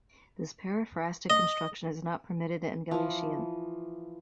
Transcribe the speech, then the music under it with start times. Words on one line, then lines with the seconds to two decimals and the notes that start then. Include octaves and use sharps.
This periphrastic construction is not permitted in Galician.
1.30 D#5
2.91 E3 F3